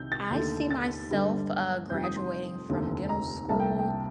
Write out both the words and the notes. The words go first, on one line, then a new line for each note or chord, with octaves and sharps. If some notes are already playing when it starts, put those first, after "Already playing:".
I see myself, uh, graduating from dental school.
Already playing: C2 C3 D#3 G6
A6
D#2 D3 A3
A6
G1 G2 D3 G3
F1 F2 D#3 G3 G6
D#6
C6
F1 D#2 D3
A#5
C2 C3 G3 A#3 A5
G5
G5